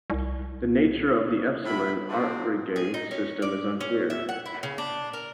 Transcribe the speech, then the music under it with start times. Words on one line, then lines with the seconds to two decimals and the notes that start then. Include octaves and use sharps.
The nature of the Epsilon Aurigae system is unclear.
0.10 C2
1.65 A2 D3 B3 E4 B5
2.09 A2 F3 F#3 G#3 C4 D4
2.76 G#4
2.94 D#4
3.11 C#4
3.42 D5
3.81 C#4
4.10 E5
4.29 F#5
4.46 E4
4.63 C#3
4.78 D4
5.13 A#4